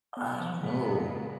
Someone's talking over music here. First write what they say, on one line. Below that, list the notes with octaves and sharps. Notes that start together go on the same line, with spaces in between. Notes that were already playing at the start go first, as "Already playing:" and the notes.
I don't know.
B3
F3
A#2 C#3 G#3 B3